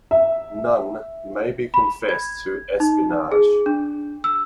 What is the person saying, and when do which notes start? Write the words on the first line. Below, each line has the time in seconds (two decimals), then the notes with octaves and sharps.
Nunn May confessed to espionage.
0.11 E5
1.74 B5
2.09 G#6
2.80 D#4
3.32 G#4
3.66 D4
4.24 E6